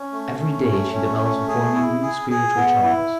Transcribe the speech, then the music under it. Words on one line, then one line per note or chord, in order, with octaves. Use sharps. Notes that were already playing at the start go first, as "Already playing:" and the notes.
Every day she develops before me new spiritual charms.
Already playing: C#4
A3
C#4
A3
C#4
A3
G#4
E4
G#4
G#4
B3
E4